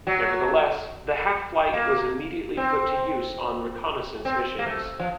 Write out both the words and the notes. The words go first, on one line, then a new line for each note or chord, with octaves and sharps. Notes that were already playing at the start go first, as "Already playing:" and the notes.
Nevertheless, the half-flight was immediately put to use on reconnaissance missions.
F#3
A#3
C4
C4
A#3
A3
F3